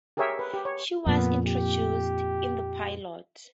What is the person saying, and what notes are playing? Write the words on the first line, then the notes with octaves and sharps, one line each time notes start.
She was introduced in the pilot.
G4 G#4 A#4 C#5 E5 G5
B4
G4
C#5
F2 A#2 B3
G4